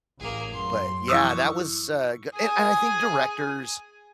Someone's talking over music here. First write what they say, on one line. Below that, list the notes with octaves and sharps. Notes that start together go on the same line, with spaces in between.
But, yeah, that was, uh, g and and I think directors,
A1 A#3 G#4
F#2 C6
E3 F3 E4 C#6 D#6 E6
G#4 G#5